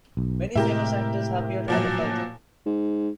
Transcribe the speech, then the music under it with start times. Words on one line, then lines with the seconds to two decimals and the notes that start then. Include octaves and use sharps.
Many famous actors have appeared at the Fulton.
0.17 B1
0.55 A2 C3 G#3 E4 G4 A#4
1.68 A#2 F3 F#3
2.66 G#2